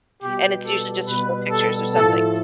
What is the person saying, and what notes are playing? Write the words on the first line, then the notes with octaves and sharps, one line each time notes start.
and it's usually just to show pictures or something.
B2 G3 G4
A4
B2 G3 B4
A4
A2 F3 A3 A4